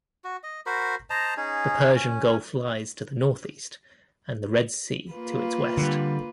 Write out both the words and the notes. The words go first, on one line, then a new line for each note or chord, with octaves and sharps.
The Persian Gulf lies to the northeast and the Red Sea to its west.
F#4
D#5
F#4 A#4 C5 B5
C5 D#5 A5 A#5
C#4 D#4 G#4
C#4
A#3 F4 B4
D3 G3